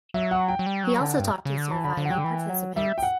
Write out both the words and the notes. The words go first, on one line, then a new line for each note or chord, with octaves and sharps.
He also talked to surviving participants.
F#3 E5
F#5
G5
F#3
G3
F#3
D3
G2
C#3
D3
E3 A5
D3 B5
D3
F#5
F#3 G5
D3
E3
F#3
G3 E5
G5
F#5